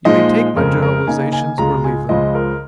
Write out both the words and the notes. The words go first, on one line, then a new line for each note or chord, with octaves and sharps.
You may take my generalizations or leave them.
A#2 F3 G#3 D#4 D#5
F2 C#3 G#3 A#4
A#4
C#3 A#3 D#4 G#5
G#5
C#2 C#3 G#3 F4 A#5
G#5
C#2 C#3 F3 G#3 D#5
A#4